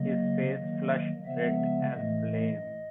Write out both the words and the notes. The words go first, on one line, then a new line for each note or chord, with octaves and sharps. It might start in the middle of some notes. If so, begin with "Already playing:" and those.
His face flushed red as flame.
Already playing: C#3 F#3 A#3 D#5
D#3 F#3 A#3
C#3 F3 G#3 B3 E5
A2 E3 A3 D#5